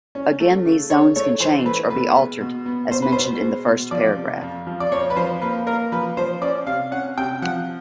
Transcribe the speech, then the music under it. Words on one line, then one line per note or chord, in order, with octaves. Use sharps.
Again these zones can change or be altered as mentioned in the first paragraph.
C#4
A3
C#3
C#3 C#5
A3 C#5
E3 C5
A3 B4
B2 B4
G#3
B2
B3
B2 C5
B4
B2 C5
G#3
B2
F3 D5
C3
F2
F3
D5
F2 C#5
B4
F3 C5
A#3 B4
A#3 A#4
F3 B4
F3 C5
C#4 D5
C3 F5
C#4 F#5
C3 G5
F3 F#5